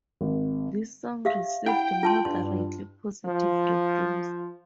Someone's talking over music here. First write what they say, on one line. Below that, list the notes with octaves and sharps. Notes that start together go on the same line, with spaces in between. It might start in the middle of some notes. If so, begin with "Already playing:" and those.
This song received moderately positive reviews.
G#1
G4 E5 F5
E4 F#5 G5 B5
F4 A5 C6
G2 C6
F3